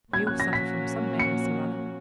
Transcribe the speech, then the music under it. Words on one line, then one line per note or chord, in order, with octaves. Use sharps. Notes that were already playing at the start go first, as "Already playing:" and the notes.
We all suffer from some madness or other.'
A#2 F3 A#3 C#4 F#4 G#6
F#6
A#6
B6
C#7